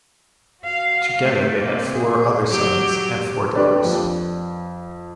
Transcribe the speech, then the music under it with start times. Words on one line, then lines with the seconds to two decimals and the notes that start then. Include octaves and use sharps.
Together they had four other sons and four daughters.
0.63 F#4 F5
1.21 A3
1.58 C3 A#3
1.93 G#4
2.48 F#3 G4
3.55 D4 G4 A4 B4 D5
3.85 F2